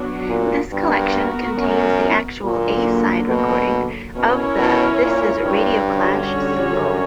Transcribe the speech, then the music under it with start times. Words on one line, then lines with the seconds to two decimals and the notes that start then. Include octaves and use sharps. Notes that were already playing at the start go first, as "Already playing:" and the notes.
This collection contains the actual A-side recording of the "This Is Radio Clash" single.
Already playing: F#3 B3 D4 F#4
0.29 A#2
0.72 G2 B3 F#4 A#4
1.58 F#2
2.43 A#2 D3 F#3 A#3
3.29 B2
4.15 B2 C#4 E4 A#4 C#5
4.58 B2
5.01 A#2
5.44 G2
5.87 D3 G3 C#4 F#4 C#5
6.73 F#2